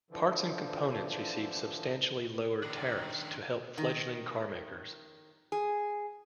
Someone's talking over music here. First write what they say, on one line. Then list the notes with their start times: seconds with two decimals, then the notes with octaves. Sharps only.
Parts and components received substantially lower tariffs to help fledgling carmakers.
0.11 D3 E3 F3
2.62 D#3 D4
3.78 D#3
5.52 G#4